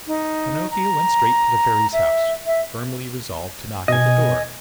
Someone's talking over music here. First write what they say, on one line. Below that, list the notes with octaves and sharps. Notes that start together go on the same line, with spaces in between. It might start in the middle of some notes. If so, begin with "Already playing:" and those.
Pinocchio went straight to the Fairy's house, firmly resolved to knock at the door.
D#4
A#5
E5
E5
B2 D#5 G#5